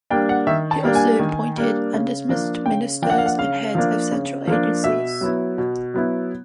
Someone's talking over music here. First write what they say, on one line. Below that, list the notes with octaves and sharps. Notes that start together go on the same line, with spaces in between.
He also appointed and dismissed ministers and heads of central agencies.
G3 A#3 D4 G5
F#5
D#3 E5
A5
G3 A#3 D4
G#5
D#3
G3 A#3 D4
C#3
F3 A#3 D4
C#3 G5
F3 A#3 D4 G5
F#5
F5
F#5
C#3 F5
F3 A#3 D4
C#3
F3 A#3 D4
B2 E5
F#3 B3 E4
B2
F#3 B3 E4